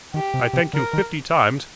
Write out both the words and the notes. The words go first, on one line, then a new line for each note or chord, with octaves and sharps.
I thank you fifty times.
D#3 G4
C3
C3
D3 A#4
D#3